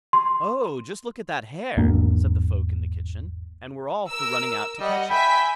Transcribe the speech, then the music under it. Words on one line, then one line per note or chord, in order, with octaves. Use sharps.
'Oh, just look at that hare!' said the folk in the kitchen, and were all for running out to catch it.
C6
G#1 E2 A#3 D4
A#4 E6
G3 D#5 F#5
E5 G5 G#5 B5 B6